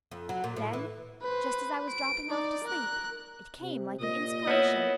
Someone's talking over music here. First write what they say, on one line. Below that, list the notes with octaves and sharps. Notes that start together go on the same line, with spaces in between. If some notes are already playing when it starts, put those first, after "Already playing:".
Then, just as I was dropping off to sleep, it came like an inspiration.
F2
F#3
A#2
A2
E3
B4 C5
D7
D#4 D5
A#4 F#6
C3
A#2 D#5
B3 E4 B4 C#5